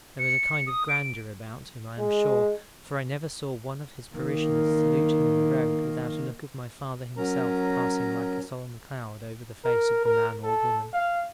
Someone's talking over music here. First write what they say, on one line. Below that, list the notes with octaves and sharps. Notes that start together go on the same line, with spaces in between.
There was a kind of grandeur about him, I am sure; for I never saw one of his parishioners salute him in the road, without a look of my father himself passing like a solemn cloud over the face of the man or woman.
C#7
D#6
D7
G#3
D#3 A#3
F#3 C#4 A#4 A#5
A#4
A#4
A4
F5